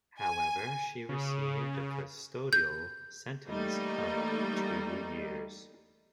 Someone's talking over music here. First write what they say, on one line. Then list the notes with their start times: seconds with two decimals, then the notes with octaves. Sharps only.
However she received a custodial sentence of two years.
0.19 G#5
1.09 C#3
2.53 G6
3.47 E3 G3 A3 A#3 D#4